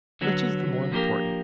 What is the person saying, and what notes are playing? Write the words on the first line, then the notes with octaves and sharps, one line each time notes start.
Which is the more important?
D3 F#3 B3
F3 A#3 D4 G4 A#4